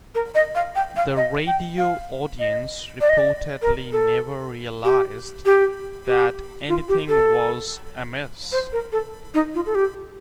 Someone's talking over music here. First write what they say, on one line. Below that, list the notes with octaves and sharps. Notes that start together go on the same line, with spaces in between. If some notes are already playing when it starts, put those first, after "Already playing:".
The radio audience reportedly never realized that anything was amiss.
A#4
D#5
F5
G5
F5
D#5
G5
F5
D#5
D5
D#5
D5
A#4
A4
G4
G4
G4
F4
G4
A4
C5
A#4
A4
D#4
F4
A4
G4